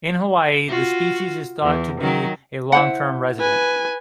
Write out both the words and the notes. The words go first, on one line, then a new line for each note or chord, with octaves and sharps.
In Hawaii, the species is thought to be a long-term resident.
F4 F#4
E2
D#3 F#3
E4 C5 F#5
B4 G#5